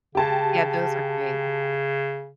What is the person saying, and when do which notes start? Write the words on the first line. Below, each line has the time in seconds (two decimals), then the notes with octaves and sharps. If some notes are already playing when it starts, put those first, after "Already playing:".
Yeah. Those are great.
0.15 C#3 G4 A5